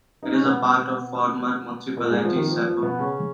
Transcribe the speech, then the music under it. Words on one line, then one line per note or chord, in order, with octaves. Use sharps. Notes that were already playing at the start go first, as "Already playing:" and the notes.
It is part of the former municipality Cepo.
D#4
C#4
B2 B3
A#2 A#3
G#2 G#3
F3
D#3
F3
F3
B2 B3
C#3 C#4